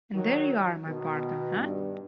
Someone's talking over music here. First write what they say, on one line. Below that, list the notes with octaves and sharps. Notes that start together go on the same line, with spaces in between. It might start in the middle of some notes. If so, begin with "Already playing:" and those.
And there you are, my partner, eh?
D#3 F#3
B2 D#3
G2